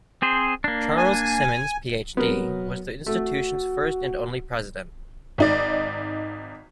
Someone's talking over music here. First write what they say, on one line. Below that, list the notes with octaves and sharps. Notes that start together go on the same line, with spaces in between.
Charles Simmons Ph.D., was the institution's first and only president.
C4 G#4 C5
A#3 D4
G#5
F#3 B3 A#4
A3 F#4
G#1 D#4 D5